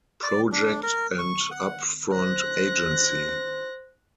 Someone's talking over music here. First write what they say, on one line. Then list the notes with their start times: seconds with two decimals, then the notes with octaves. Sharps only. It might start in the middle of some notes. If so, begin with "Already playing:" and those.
Project and Up-Front Agency.
0.23 D5
0.52 D4
0.83 A#4
1.19 C#6
1.51 F#5
2.12 C5 F#6 A#6